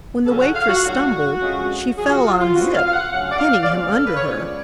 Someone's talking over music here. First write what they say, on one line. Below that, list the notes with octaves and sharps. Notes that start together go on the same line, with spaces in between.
When the waitress stumbled, she fell on Zip, pinning him under her.
C#3 F#3 C#4 A4
F#5
F5
F#4
A2 F#3 A3 D4 F#4
F2 C#3 G#3 C#4
C#3 F#3 C#4 G#4
F4
F#4
F4
F4
F2 D3 F3 B3 F#4
F5
F5
F#5
D2 C#3 F#3 F#5
F5
D5
F5
D5
D2 C#3 F3 G#3 B3 F5
A4
B4
C#5
C#3 F3 G#3 B3 D4 D5